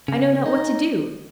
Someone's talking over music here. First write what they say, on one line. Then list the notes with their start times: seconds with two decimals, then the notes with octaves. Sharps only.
I know not what to do.
0.08 C#3
0.46 D#4